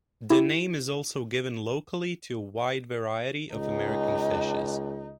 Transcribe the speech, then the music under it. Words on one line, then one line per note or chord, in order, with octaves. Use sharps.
The name is also given locally to a wide variety of American fishes.
E4 G4
C#2 D#4